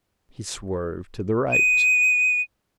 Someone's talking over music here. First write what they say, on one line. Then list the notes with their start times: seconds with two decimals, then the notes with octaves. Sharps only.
He swerved to the right.
1.52 D#7